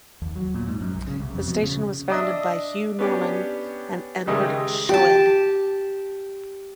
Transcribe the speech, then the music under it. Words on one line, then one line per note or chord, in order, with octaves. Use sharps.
The station was founded by Hugh Norman and Edward Schoede.
D#2
F#3
A#2
G#2
F#2
B1
C#3
C2
F2
B2
C#3
D4 D#5 E5
B3 C#4 D4 G4
C#2 D#3 G3 G#3 D#5 E5
G4 A5